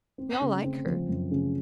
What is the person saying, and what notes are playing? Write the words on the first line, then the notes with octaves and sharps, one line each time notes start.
We all like her.
C4
C#3
C4
F3
F#2
C#3